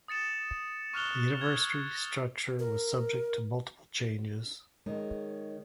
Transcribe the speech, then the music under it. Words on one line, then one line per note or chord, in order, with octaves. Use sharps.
The university structure was subject to multiple changes.
D#6 A6 C#7 E7
C#6 F6 F#6 F7 G7
G#6
A#4
D#3 G#3 C#5